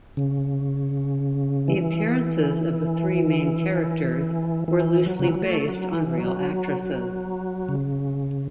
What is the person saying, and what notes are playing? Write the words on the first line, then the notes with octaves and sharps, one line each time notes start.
The appearances of the three main characters were loosely based on real actresses.
C#3
E3
E3
F#3
C#3
E3
F#3
A3
F#3
E3
F#3
C#3